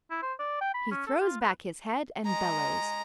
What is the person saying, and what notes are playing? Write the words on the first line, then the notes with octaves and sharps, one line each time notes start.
He throws back his head and bellows.
E4
C5
D5
G5
B5
C#4
A4
F4
B4
G#3 A#5